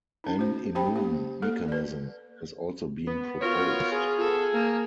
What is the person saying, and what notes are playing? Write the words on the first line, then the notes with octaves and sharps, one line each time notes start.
An immune mechanism has also been proposed.
C#4 D#4
F#4 C5
C#4 G4 C5 G5 B5
A#3 G4
A#3 A4
B4 D5
B3
F4 F#4 A#4 C#5
G#4
A4
A#3